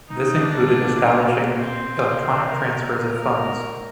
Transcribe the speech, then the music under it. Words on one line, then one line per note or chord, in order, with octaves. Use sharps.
This included establishing electronic transfers of funds.
D#4
D4
A#3
C4
C4
A#4
A#4